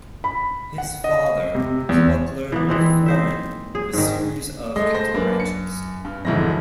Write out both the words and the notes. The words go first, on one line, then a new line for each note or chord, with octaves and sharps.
His father was a butler or foreman of a series of cattle ranches.
B5
F#5
D#5
C3
E2
E3 A#3 B3
E3 G#3 C4
D#4 C5 E5
G#4
G#2 D#3
G#3 A3 D#5
C5 A#6
F#2 A#3 D4 B4
C#7
G2
E1 F2 G#2 D3 E4 A#6